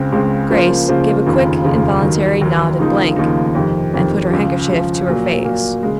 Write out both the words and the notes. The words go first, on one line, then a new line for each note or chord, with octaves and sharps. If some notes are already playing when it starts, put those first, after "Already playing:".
Grace gave a quick, involuntary nod and blink, and put her handkerchief to her face.
Already playing: C#2 C#3 G#3 C4
C#2 C#3 G#3 C4
C#3 F3 A#3 F4 C5
C#3 F3 A#3 F4 C5
F1 D#2 C#3 F3
F1 D#2 C#3 F3
D#2 D#3 F#3
D#2 D#3 F#3
D#2 C#3 F3 A#3 D#4
D#2 C#3 F3 A#3 D#4
F2 C3 D#3
F2 C3 D#3
C#2 C#3 F3
C#2 C#3 F3
A#2 F#3 A#3
A#2 F#3 A#3
C#3 G#3